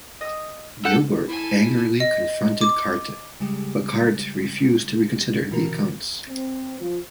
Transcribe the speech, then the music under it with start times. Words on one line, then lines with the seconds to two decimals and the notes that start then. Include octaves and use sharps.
Gilbert angrily confronted Carte, but Carte refused to reconsider the accounts.
0.21 D#5 E6
0.85 A4 F#5 G6
1.28 E4 A4 G#5
2.00 D#5
2.61 D6
3.40 C#3 G3 G#3 G4
5.51 B2 D3 E3 F#4 A#4
6.28 C4
6.79 F3